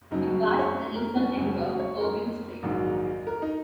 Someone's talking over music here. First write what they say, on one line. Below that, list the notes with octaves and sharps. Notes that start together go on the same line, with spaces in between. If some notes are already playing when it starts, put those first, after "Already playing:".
It guards the eastern end of Foveaux Strait.
F#1 F#2 F#3 D#4
F#4
G#4
C#5
A#4
C#4
F#1 F#2 F#3 C#4
F#4
C#5
A#4
A#1 G#2 D#3 F#3
A#4
D#4